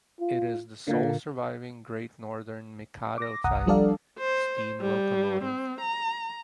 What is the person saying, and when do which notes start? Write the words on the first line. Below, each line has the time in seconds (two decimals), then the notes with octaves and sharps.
It is the sole surviving Great Northern "Mikado" type steam locomotive.
0.20 F4
0.87 A#2 D3 A#3
3.18 D6 A#6
3.44 G1 C2 F#5 A#5 D#6
3.67 F3 G3 D4 A4 D5 F5
4.19 C5
4.81 G3
5.44 C4
5.81 A#5